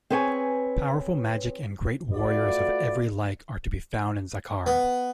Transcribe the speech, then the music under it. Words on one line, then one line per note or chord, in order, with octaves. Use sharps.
Powerful magic and great warriors of every like are to be found in Zakhara.
C4 G#4 B4 C#5 G5 G#5
A3 F4 F#4 B4 D5
B3